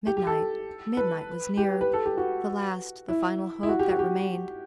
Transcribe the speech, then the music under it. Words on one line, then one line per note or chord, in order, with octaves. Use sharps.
Midnight--midnight was near, the last, the final hope that remained.
G4
G4
A4
B4
G4
B4
A4
G4
F#4
E4
E4
F#4
G4
F#4
G4